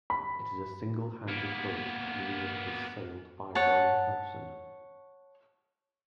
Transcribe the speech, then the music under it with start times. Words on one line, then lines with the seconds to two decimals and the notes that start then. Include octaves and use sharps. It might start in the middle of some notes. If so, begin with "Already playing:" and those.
It is a singlehanded boat, meaning that it is sailed by one person.
0.10 B5
1.28 A#3 B3
3.55 C#5 F#5 A5